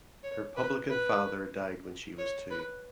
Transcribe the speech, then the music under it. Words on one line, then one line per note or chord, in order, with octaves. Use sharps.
Her publican father died when she was two.
C#5
B4
B4
C#5
B4